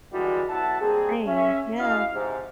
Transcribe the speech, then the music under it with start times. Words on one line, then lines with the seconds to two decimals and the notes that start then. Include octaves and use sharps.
Dang! Yeah.
0.12 D3 E3 G3 G#3 F#4
0.49 B1 E4 E5 F#5 A5
0.81 G3 G#3 A#3 C4 G#4
1.26 C#4 E5
1.79 E4 F#4 G#4 D#5 F5
2.14 G#2 C3